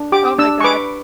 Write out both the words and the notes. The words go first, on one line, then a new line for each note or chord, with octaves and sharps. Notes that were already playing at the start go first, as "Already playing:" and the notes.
Oh my god.
Already playing: D4
G4 D6
D4 E6
C#6
B4 D6